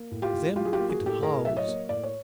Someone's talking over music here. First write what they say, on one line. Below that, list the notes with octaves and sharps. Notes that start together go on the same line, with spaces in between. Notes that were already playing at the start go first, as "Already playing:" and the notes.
Then it howls!
Already playing: A#3
A2
F4 G4
A2
F#3 F4 G4
G#4
F4 G4
A#3
F#4 G#4
A2
G4 A4
A2 G#4 A#4
F#3 E5
C#5 D#5
A#3
A2 D5
C#5